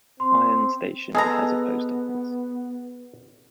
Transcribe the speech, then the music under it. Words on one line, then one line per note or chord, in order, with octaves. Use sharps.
Iron Station has a Post Office.
C4 C6
G#3 B3 G#4 A4 A#5